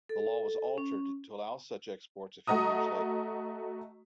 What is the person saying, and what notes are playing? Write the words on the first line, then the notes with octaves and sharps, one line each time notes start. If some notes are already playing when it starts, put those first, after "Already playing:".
The law was altered to allow such exports a few years later.
A4
C#4
A3 F#4 D#5 A#5 D#6